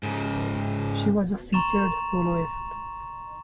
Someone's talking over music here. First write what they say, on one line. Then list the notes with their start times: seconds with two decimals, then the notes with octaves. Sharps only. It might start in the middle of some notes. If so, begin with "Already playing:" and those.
She was a featured soloist.
0.03 G#2 C#3
1.53 A#5 C6 C#6 A6 E7 F7